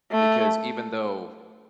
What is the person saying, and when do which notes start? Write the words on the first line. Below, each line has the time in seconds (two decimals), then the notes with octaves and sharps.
because even though
0.12 A3